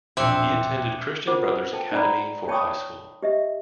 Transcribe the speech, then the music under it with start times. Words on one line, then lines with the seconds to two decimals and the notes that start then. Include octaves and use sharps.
He attended Christian Brothers Academy for high school.
0.17 E1 A#1 C4 E5 D6 F#6 C#7
1.27 F4 A#4 C5 F#5 D6
1.42 B4 F#5
1.73 A4 G5 A5
1.92 D#4 D5 F#5 A#5 B5
2.48 C#5 G5 A5 B5 C#6 D#6
3.23 G4 D#5 E5